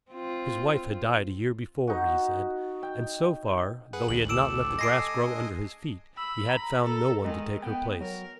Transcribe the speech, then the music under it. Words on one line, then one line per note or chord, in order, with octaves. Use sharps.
His wife had died a year before, he said, and so far, though he had not let the grass grow under his feet, he had found no one to take her place.
C4 F4
D#4 F#4
G5
G#4 B4 F#5
A1 D2 F#7
G4 A4 E6 D7 E7
D#5 G#5 A#6 C7 D7
G#3 D4 D#6
B5 E6
A#5
A4
D#3 G#3
B3 G5
F#3 A#4